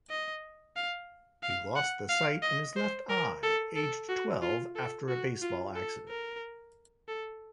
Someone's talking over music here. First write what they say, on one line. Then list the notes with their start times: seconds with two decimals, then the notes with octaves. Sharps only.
He lost the sight in his left eye aged twelve after a baseball accident.
0.10 D#5
0.76 F5
1.43 F5
1.76 F#5
2.09 F5
2.42 D#5
2.76 C5
3.09 A#4
3.43 A4
3.76 A4
4.09 F#4
4.42 F4
4.75 A4
5.08 F#4
5.42 F4
5.75 A4
6.08 A#4
7.08 A4